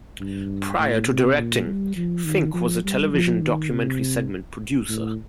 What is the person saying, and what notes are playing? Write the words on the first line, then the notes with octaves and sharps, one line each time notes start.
Prior to directing, Fink was a television documentary-segment producer.
G2
A2
C3
A#2
G3
F3
D#3
F3
G3
F3
D#3
C3
A2